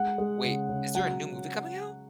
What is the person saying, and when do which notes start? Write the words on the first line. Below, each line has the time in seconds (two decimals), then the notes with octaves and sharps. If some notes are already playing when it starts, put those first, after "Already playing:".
Wait. Is there a new movie coming out?
Already playing: G#3 F#5
0.18 G#3
0.44 C#3
0.69 C#3
0.95 F#3 F#5